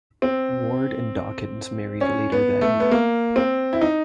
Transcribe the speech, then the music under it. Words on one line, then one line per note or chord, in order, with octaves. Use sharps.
Ward and Dawkins married later that year.
C4
C#4
B3
A3
B3
A#3
C4
E4
D#4